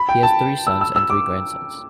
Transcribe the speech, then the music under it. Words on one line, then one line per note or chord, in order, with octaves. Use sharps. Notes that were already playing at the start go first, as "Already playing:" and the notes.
He has three sons and three grandsons.
Already playing: B5
G5
A5
E6
E6
E6
D6